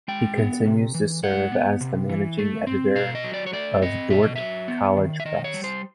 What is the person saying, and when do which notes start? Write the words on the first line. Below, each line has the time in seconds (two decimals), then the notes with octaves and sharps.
He continues to serve as the Managing Editor of Dordt College Press.
0.08 G#3 G5
0.37 B3
0.66 C3
0.95 E3
1.23 G#3 F#5
1.52 B3
1.81 C3
2.09 E3
2.38 A3
2.67 C4
2.95 B2 F5
3.15 D#5
3.24 F#3
3.34 D5
3.46 C#5
3.53 A3 D5
3.82 C4 D#5
4.10 B2 E5
4.23 D#5
4.36 F#3 E5
4.68 B3
4.97 D#3
5.20 E5
5.25 D#3 D#5
5.44 C#5
5.54 G3
5.64 C5